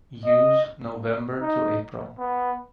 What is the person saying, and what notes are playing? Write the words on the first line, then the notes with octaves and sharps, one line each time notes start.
Use November to April.
D#5
D#4
B3